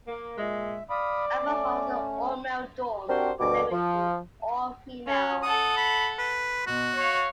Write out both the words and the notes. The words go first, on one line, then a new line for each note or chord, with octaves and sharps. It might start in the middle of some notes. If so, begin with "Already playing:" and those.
Albert Hall was an all-male dorm, and Lemming an all-female.
A#3
A#2 G#3 E5
D5 F5 B5 D#6
A3 C#4
C4 D4 F#4 G4 A#4 C5
D2 B2 G3 D6
F3
C#4
A4 F#5 D#6
B5
B4
B2 F#4
C#5 F5